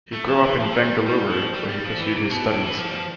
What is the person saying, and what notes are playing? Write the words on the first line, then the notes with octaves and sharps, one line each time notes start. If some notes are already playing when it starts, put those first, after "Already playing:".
He grew up in Bengaluru, where he pursued his studies.
A3
F3
E3
F3
A3
G3
G3
F3
G3
G3
F3
E3
C3
B2
A2
E3
F3
G3
F3